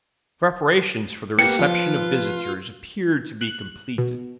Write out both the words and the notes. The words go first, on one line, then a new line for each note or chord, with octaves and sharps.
The preparations for the reception of visitors appeared to be completed.
A#3 B3 G4 B4 G5 C#7
F3 F4
F#6
B2